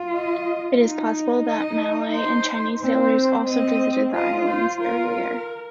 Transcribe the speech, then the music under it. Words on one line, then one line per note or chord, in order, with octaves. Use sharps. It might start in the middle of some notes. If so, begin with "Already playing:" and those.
It is possible that Malay and Chinese sailors also visited the islands earlier.
Already playing: F4
D#5
D#4
D#5
C5
C4 C5
C4 D#5
F4 D#5
C5
F4 A#4